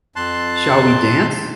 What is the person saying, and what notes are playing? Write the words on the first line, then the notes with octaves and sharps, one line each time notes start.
Shall We Dance?
F2 A5 C6 F#6